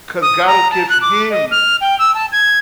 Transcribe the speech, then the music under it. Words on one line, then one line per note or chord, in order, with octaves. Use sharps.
'cause God will give him
D#6
A#5
A5
F#6
D6
D#5
F6
G5
E6
A5
G#6